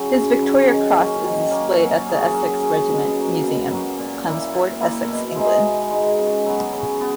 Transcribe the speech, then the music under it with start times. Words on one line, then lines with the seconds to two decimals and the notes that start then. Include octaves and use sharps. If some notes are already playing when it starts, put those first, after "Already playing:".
His Victoria Cross is displayed at The Essex Regiment Museum, Chelmsford, Essex, England.
Already playing: C#3 F#3
0.13 F#2
0.41 C#3 F#3
0.68 D#3
0.96 A#3 C#4
1.23 D#3
1.51 A#3 C#4
1.78 F#3
2.06 C#4 G#4
2.33 F#3
2.60 C#4 G#4
2.88 B2
3.15 F#3 A#3
3.43 B2
3.71 F#3 A#3
3.98 A#2
4.26 A#3 E4
4.54 A#2
4.80 A#3 E4
5.08 B2
5.36 G#3 D#4 G#4
5.64 B2
5.90 G#3 D#4 G#4
6.19 C#3
6.46 F#3 B3
6.73 C#3
7.01 B3